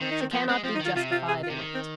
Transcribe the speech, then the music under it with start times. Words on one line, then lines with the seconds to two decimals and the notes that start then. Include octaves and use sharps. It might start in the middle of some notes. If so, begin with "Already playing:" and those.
She cannot be justified in it.
0.01 D#3 C4
0.11 D#4
0.21 C4
0.32 F3 A#3
0.49 G#3 C4
0.64 F3 C4
0.75 D#4
0.80 D#3 F4
0.96 C3 F4
1.11 F4
1.28 G#4
1.43 F4
1.50 C3
1.59 D#3
1.74 C4